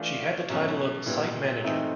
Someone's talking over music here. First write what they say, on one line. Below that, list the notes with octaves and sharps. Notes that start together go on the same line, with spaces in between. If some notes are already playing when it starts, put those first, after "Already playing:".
She had the title of "Site Manager".
Already playing: E3 A3 D4 F4
B2 F#3 A3 C#4
A#2 G3 B3 E4
E3 A3 C4 D#4